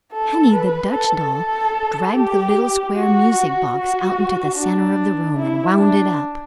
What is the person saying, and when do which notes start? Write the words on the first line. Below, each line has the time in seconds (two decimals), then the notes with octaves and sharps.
Henny, the Dutch doll, dragged the little square music box out into the center of the room and wound it up.
0.13 A4
0.53 B4
0.93 A4
1.34 A4
2.14 G4
2.95 F#4
3.75 F#4
4.56 D4
5.36 E4
5.77 D4